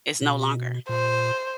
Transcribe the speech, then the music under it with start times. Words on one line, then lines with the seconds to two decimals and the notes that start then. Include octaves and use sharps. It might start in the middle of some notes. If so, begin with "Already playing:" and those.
is no longer.
0.21 B2
0.89 A#2 C5